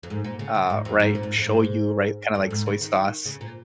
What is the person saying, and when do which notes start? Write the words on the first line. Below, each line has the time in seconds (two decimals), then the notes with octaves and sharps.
uh, right, shoyu, right, kinda like soy sauce
0.03 F2
0.10 G#2
0.24 A#2
0.39 C#3
0.55 C#3
0.70 G#2
0.85 F2
1.00 G#2
1.15 A#2
1.23 G#2
1.37 F2
1.45 G#2
2.35 F2
2.51 G#2
2.66 C#3
2.81 D#3
3.26 C#3
3.41 A#2